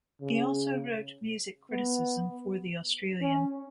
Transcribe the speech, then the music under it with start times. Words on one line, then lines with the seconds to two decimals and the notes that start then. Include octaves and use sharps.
He also wrote music criticism for "The Australian".
0.21 C#3
1.71 B3
3.22 C#4